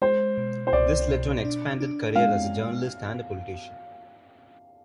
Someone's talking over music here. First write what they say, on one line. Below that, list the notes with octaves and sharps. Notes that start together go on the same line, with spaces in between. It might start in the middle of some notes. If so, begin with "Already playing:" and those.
This led to an expanded career as a journalist and politician.
G#3 C5
B2
C5
C2 D5
B2
D4
D4
G#3 F5